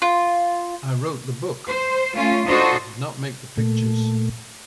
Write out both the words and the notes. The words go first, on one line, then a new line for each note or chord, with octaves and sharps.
I wrote the book; I did not make the pictures.
F4
C5
A3 C#4 F4
D4 D#4 F4 F#4 A4 C5
A#2 A3